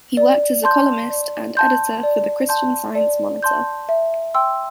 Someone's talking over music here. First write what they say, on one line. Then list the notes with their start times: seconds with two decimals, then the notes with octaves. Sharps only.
He worked as a columnist and editor for "The Christian Science Monitor".
0.17 D5
0.64 A5 C6 G6
1.10 D5
1.57 A5 C6 G6
2.03 D5
2.49 A5 C6 G6
2.95 D5
3.43 A5 C6 G6
3.89 E5
4.34 G5 C6 E6